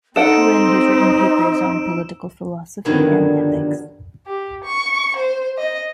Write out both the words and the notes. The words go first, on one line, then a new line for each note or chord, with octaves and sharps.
Cowen has written papers on political philosophy and ethics.
C4 D#4 A4 C5 F#5 E6 D7 E7
G2 D3 D#3 F3 F#3 B3
G4
C#6
C5
D#5